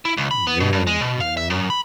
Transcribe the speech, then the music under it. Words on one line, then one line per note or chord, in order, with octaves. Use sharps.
Yeah, you know,
E4
C#2
B5
B3
B2
G2
G#3
B2
F5
E5
F#2
B5